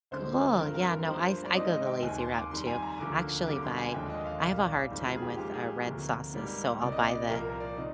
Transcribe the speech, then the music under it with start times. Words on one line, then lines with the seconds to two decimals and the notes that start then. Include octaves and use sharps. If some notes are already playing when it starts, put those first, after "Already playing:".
Cool. Yeah, no, I s I go the lazy route too. I actually buy I have a hard time with, uh, red sauces, so I'll buy the
0.11 D2 D3 G#3 C5
0.59 G2 F3 C4 A#4
0.75 A#4
0.91 A#4
1.07 G2 F3 A#3 C5
1.45 D5
1.54 G#2 D#3 G#3 C4 D#5
1.71 D#5
1.86 G5
2.02 D#2 D#3 A#3 G#5
2.19 C6
2.34 D6
2.50 F2 D#3 G3 C6
2.67 G#5
2.82 A#5
2.98 D2 D3 F3 A#3 D6
3.46 F2 D3 G3 A#3 D6
3.62 C6
3.78 G#5
3.94 D#2 D3 F3 G#3 G5
4.10 D#5
4.25 F5
4.41 C2 A#2 G3 F5
4.90 F2 D#3 G#3 C4
5.05 F4
5.15 G#4
5.22 G4
5.37 G#2 F3 A#3 G4
5.53 G#4
5.86 D2 C3 F3 A#3
6.34 G#2 G3 A#3
6.81 C2 C3 G3 D5
6.92 D#5
7.03 D5
7.29 C2 A#2 F3 A#3 A#4
7.45 A#4
7.60 D5
7.77 C3 D#3 D#5